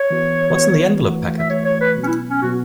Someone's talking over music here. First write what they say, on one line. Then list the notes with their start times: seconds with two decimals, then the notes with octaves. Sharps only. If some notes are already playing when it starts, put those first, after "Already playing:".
What's in the envelope packet?
Already playing: C#5
0.10 E3 B3 F#4
0.56 E3 B3 F#4
1.03 E3 A3 F#4
1.39 E5
1.49 E3 A3 F#4 C#5
1.65 C#5
1.81 B4
1.96 B2 F#3 B3
2.03 C#4
2.07 E4
2.30 C#4
2.42 B2 F#3 B3 F#4